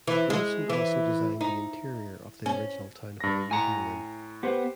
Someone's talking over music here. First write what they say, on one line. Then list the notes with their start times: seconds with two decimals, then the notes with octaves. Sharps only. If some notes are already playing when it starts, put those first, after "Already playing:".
Wilson also designed the interior of the original Town Hall meeting room.
0.07 E3
0.30 G#3
0.70 E3
1.41 D#4
2.46 C#4
3.20 G2 A#6
3.51 A2 G#5 A#5 C#7
4.43 B3 G4 C5 F#5